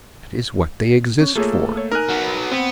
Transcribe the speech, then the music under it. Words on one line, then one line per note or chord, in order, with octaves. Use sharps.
That is what they exist for.
C#4
A3 A#3 F4 G#4 A4 C#5
C#5
D#4 A#4 G#5 F6 F#6
F#3 B3
B3 C4